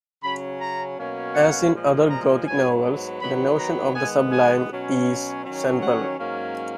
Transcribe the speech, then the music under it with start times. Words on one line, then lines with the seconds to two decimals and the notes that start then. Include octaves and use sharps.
As in other Gothic novels, the notion of the sublime is central.
0.23 C#3 F#3 C#4 B5
0.61 A#5
0.98 B2 F#3 A#3 C#4
1.35 F#5
1.72 A#2 F3 G#3
2.10 A#5
2.46 G#2 F#3 B3 G#5
3.21 D#3 F#3 B3 B5
3.59 A#5
3.95 D#3 G#3 B3 G#5
4.32 G#5
4.70 B2 F#3 C#4
5.44 D#3 F#3 C#4
5.82 F#5
6.18 G#2 F#3 A#3 C#4